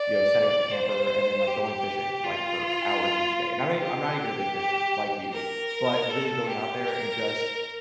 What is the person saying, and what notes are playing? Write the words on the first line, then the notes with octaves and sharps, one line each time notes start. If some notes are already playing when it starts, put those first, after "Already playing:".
you know, setting up the camper and then like going fishing, like, for hours each day and I'm not e I'm not even a big fisher, like you, but really going out there and just
Already playing: D5
C5
G4
F4
G4
A#4
A4
G4
A#4